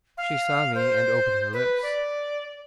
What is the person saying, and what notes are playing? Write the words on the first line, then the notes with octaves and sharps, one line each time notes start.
She saw me and opened her lips.
F5
C5
B4
D5